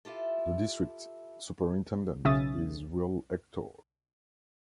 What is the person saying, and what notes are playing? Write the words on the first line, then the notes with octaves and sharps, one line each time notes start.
The district's superintendent is Will Ector.
E4 F4 G4 A4
B1 C#3 C#4 E5 D#6 A6